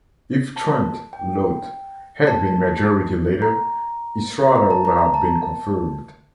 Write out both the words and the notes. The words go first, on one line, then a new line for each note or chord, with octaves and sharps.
If Trent Lott had been majority leader, Estrada would have been confirmed.
A5
G5
A5
A#5
A#5
A5
A#5
A#5
A5